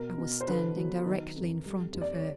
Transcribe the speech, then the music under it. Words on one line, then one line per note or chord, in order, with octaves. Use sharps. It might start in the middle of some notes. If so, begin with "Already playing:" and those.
I was standing directly in front of her.
Already playing: B2 A#4
B2
C5
D3 B4
F#3
D#3
F2
G3
D#2
D5
C#5